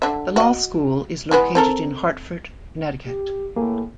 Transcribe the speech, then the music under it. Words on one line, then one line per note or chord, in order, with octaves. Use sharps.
The law school is located in Hartford, Connecticut.
D3 E5
F#4 D#5
E3 G#3 B3
C4 A4 A#4
G4
A2 A#3 G#4